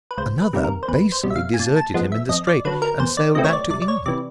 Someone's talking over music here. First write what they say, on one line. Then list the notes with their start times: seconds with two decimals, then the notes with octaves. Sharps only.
Another basely deserted him in the Strait and sailed back to England.
0.11 B4
0.17 C#2 C5
0.42 B4
0.53 C3 D#3 G3 A#3
0.64 A#4
0.83 C5
0.88 E2 B4
1.12 C5
1.23 B2 G3
1.30 E5
1.36 F5
1.54 G#5
1.59 A#2 A5
1.76 A5
1.94 F3 G#3 B3
2.12 E5
2.29 F2 D#5
2.47 D5
2.65 D3 F#3 B4
2.82 A#4
3.00 E2 C5
3.17 D5
3.35 C3 E3 A3 C4 D#5
3.44 C#5
3.53 D5
3.70 C2 D5
3.82 D5
3.88 C#5
4.06 C3 E3 D5